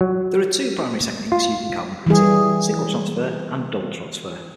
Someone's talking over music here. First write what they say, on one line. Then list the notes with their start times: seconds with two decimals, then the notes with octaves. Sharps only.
There are two primary techniques used in carbon printing: single transfer and double transfer.
0.01 F#3
1.32 F4
2.07 E3 G3 G#4